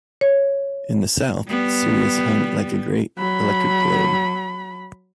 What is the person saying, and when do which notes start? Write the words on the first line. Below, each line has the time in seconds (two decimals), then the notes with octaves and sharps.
In the south, Sirius hung like a great electric globe.
0.21 C#5
1.48 G3 B3
3.18 F#3 B5